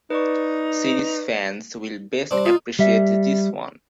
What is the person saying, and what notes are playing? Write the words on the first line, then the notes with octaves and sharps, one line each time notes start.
Series fans will best appreciate this one.
D#4 B4 D5 C#6
G3 C4 D4
D#4 F4
G3 E5